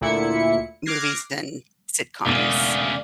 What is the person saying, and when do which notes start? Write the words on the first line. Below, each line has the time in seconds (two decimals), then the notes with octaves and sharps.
movies and sitcoms.
0.01 D2 A#2 E4 C#7
0.86 D6 F6 F#6 G#6 A#6 C7
2.26 E1 D2 C#3 D5 F5